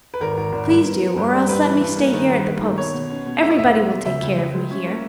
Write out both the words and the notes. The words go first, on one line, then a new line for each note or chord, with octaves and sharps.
Please do, or else let me stay here at the post. Everybody will take care of me here!
B4
G#1 A#4
G#1
G#1
G2
B3
B3
G2
G3
G2 B4
E3
G2
A#3
D#3
G2
A#3
D#3
B2 C#5
B2
C#4
B2
G#3 E5
D#5
E1 E5
G#3
B2
C#2 E5
C#2
C#2
G#3
C#4
A#3